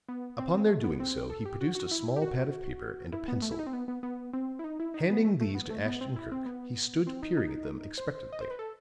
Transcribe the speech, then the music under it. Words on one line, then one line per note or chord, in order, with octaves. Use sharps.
Upon their doing so he produced a small pad of paper and a pencil; handing these to Ashton-Kirk he stood peering at them expectantly.
B3
C4
C4
A3
B3
C4
A4
G4
F#4
F#4
E4
G4
F#4
E4
B3
A3
E4
D#4
C4
B3
B3
B3
C4
E4
D#4
E4
D#4
B3
A3
A3
B3
A3
B3
C4
E4
C4
B3
C4
D#4
D#4
C5
D#5
C5
B4
A4